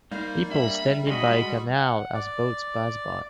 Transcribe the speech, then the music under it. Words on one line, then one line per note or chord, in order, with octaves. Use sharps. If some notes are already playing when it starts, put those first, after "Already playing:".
People standing by a canal as boats pass by.
G3 A#3 D#4 C5 F5
D4 G4 E5 B5
G#3 F#4 D#5 B5
F#5
D5